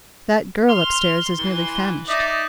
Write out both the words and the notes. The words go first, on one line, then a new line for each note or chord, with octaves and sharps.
"That girl up-stairs is nearly famished."
C6 F6
E3
D#4 D5 E5